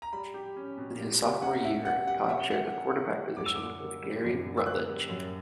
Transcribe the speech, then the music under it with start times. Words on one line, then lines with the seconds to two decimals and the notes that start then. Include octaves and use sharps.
In his sophomore year, Todd shared the quarterback position with Gary Rutledge.
0.02 A#5
0.13 G3 B5
0.34 G4
0.56 C#4
0.78 B2
0.99 G3
1.21 G4
1.42 C#4 F#5
1.63 B2 E5
1.85 G3 F#5
2.07 G4 F#5
2.29 C#4 E5
2.50 B2 F#5
2.72 D3
2.93 A#3
3.16 G3
3.36 F#2 D6
3.46 E6
3.56 D3 D6
3.80 A#3
4.02 G3
4.24 F#2
4.46 D3
4.57 E6
4.66 A#3 F#6
4.89 G3
5.09 F#2